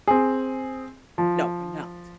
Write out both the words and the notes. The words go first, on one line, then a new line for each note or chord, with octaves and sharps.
No, we're not,
C4 G#4
F3